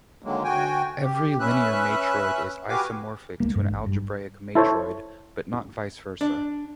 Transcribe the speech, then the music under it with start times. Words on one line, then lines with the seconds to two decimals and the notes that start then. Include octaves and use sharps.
Every linear matroid is isomorphic to an algebraic matroid, but not vice versa.
0.24 D3 D#3 F#3 G#3 A#3
0.44 D2 F#4 G5 G#5
1.03 G4
1.40 C#4 B4 E5 F#6
2.69 F#4 G4 B4 F5 G#5 D6
3.40 C#2 G#3 A#3
3.56 G2 G#3 A3
3.71 G#1
3.86 G2
4.55 E4 A4 C5 C#5
6.21 D4